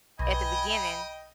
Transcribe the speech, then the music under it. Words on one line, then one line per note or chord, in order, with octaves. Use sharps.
at the beginning
B1 D#5 G5 G#5 B5